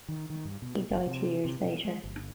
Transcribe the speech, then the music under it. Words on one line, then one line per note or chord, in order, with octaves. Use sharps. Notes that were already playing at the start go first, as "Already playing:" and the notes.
He died two years later.
D#3
D#3
G2
B2
F#1
C3
C3
B2
G#3
G1